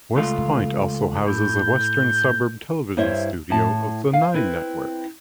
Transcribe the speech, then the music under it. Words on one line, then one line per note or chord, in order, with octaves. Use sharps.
Westpoint also houses a western suburb television studio of the Nine Network.
C#2 A3 F4
A2 G6
G2 E4 C5 C#5 E5
A2 A5
F5
C4 E4 B4